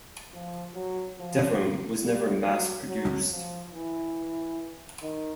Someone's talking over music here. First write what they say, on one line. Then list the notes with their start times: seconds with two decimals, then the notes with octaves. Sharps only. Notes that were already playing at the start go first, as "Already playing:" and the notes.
Devrim was never mass-produced.
0.33 F3
0.75 F#3
1.19 F3
2.04 G3
2.46 F#3
2.88 F#3
3.31 F3
3.74 E3
5.02 D#3